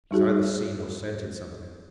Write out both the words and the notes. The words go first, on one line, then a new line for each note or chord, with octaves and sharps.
He's either seen or scented something.
G3 D#4 F#4 G#4